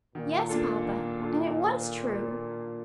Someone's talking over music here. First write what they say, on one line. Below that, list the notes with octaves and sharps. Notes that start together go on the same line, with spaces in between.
"Yes, papa, and it was true."
A#2 D#3
A#3 D4 F4 A4
D#3
A#3 D4 F4 A4